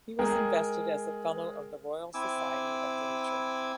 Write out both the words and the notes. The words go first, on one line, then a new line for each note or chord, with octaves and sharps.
He was invested as a Fellow of the Royal Society of Literature.
G#3 G#4 A#4 G5
C4 E4 G#5 D6 E6